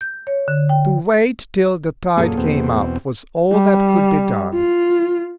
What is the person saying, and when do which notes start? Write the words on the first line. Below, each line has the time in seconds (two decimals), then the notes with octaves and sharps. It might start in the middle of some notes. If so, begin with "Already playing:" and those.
To wait till the tide came up was all that could be done.
0.01 G6
0.27 C#5
0.48 D3
0.69 G5
2.17 F#2 A#2 A#3 G#4 A4
2.37 E2 B2 C4
3.52 G3
4.54 F4